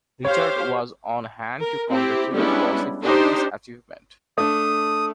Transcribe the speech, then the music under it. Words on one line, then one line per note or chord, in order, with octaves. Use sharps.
Richard was on hand to congratulate Bossy for this achievement.
G4 C5 C#5 F5
A#4
C4 E4 G4
G3 G#3 B3 C#4 D4 E4
D4 D#4 G4 C5
A3 D4 D#6